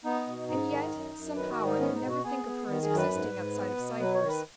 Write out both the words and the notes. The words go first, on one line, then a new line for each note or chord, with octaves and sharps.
And yet, somehow, I could never think of her as existing outside of Cypher's.
B3 D#4
B2
G#2 D#4
D#3
F#2
F#2
D#3 B4
F#4
G#2
D#4
B3 C#4
D#4
B2
F#4
B3 G#4
B3
D#3
G#4
F#2
B4
G#2
G#2
B3
B2
F#3 B4
C#5
D#3
B4